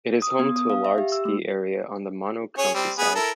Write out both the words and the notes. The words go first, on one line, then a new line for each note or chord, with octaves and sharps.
It is home to a large ski area on the Mono County side.
D#6
B3
D#6
F5
E5
G4
E6
A3
C#4 G#4 C#5
G3 C4
B3 G#4 B4
E4 A4 A#4